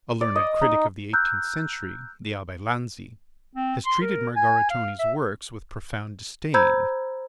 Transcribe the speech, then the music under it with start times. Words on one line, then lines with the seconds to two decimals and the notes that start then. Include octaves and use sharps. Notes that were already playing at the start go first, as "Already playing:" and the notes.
A learned critic of the eighteenth century, the Abbe Lanzi, has treated Margaritone's works with profound disdain.
0.21 D5
0.36 D#5
0.61 D#4
1.13 A#5 E6 F#6 G6
3.55 C4
3.86 C6
4.01 A#4
4.36 G#5
4.70 F5
4.99 E5
6.54 C5 A#5 B5 E6 G6 G#6